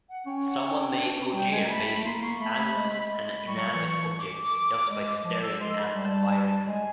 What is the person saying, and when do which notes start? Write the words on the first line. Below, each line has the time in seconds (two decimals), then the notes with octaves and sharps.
Someone may "ojear" babies, animals and inanimate objects just by staring and admiring them.
0.09 F#5
0.26 C#4 G5
0.45 F#5
0.63 G5
0.98 D4
1.16 C#4
1.33 G3 G5
1.52 G#3 G#5
1.64 A#5
1.69 A3 B5
1.96 A3
2.04 A#3 C6
2.22 A#3 C#6
2.40 A3 B5
2.58 A3
2.76 G#3
3.29 B5
3.47 G3 C#6
3.56 F#3
3.73 E3
4.18 D6
4.89 G#3
5.24 F3 D6
5.42 E6
5.60 G#3 C6
5.77 B5
5.95 G3 A5
6.67 G#3 G#5